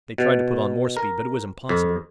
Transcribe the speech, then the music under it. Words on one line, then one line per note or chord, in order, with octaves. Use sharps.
They tried to put on more speed, but it was impossible.
B2
A#4
F2